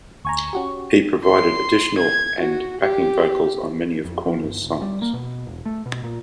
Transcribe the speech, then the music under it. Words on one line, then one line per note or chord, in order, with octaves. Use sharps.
He provided additional and backing vocals on many of Korner's songs.
D2 G#5 A#5 C#6
C#4 F#4 G4
C6
G#6
F#4
G4
F2
F3
G1
D#1
G3
A#3
B2
E1
A3
B2
A#2